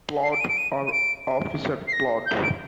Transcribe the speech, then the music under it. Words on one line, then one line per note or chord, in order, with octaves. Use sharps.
Plod or Officer Plod.
C7
D7
D#7
D7
D#7
D#7
D7
C7
A#6
G6
D7